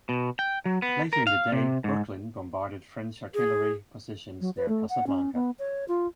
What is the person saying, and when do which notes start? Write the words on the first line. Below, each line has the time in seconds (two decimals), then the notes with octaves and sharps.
Later in the day, "Brooklyn" bombarded French artillery positions near Casablanca.
0.09 B2
0.39 G5
0.66 F#3
0.82 B3
1.13 A#4
1.27 F5
1.52 C3
1.84 G#2
3.34 G#4
4.41 F#3
4.57 B4
4.68 A3
4.89 F#5
5.07 C#4
5.34 B3
5.59 C#5
5.88 F4